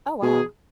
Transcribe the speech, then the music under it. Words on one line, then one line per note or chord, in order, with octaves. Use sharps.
Oh, wow.
B2 G#4